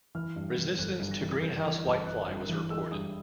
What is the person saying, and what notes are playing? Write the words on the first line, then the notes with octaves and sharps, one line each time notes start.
Resistance to Greenhouse whitefly was reported.
E3 F6
G2
E3
G1 F#6
G2
A#6
E3 A6
G#6
G2 G6
E3
G1
G1 F#6
G2
E3
G#3 E6
G2 D#6